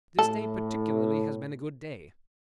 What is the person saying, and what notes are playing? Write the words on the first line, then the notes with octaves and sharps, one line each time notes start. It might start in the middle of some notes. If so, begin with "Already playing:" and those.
This day particularly has been a good day.
A2 A4